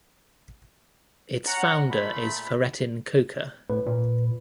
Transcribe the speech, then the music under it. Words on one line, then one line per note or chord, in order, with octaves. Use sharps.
Its founder is Fahrettin Koca.
C#4 F#5 A#5
A#2 A3 B5
A2 B4
A#2